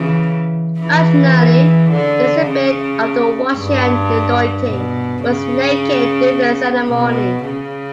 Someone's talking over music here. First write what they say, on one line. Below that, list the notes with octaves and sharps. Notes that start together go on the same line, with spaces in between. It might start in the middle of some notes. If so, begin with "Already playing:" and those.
Originally, the recipient of the washing and anointing was naked during the ceremony.
Already playing: C#3 E3
C#3 E3
D3
C#3
G2
B2
C#3
B2
C#3